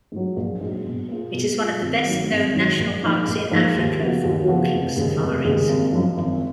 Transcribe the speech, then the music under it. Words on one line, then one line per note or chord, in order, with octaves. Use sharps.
It is one of the best-known national parks in Africa for walking safaris.
G#2 F#3
A#1
G#2 F#3
B2
A#3 F4 G#4
B2
A#3 F4 G#4
G#1
G#2 D#3 F#3
G#1
G#2 D#3 F#3
A#1
G#2 F3 A#3 D#4
A#1
G#2 F3 A#3 D#4
D#2
C#3 F3 B3 F#4
D#2
C#3 F3 B3 F#4
F1
D#2 C#3 G#3
F1
D#2 C#3 G#3
G#1
F#2 F3
G#1